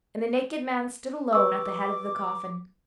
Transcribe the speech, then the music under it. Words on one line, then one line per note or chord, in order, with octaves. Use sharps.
And the naked man stood alone at the head of the coffin.
B4 C#6 D6 E6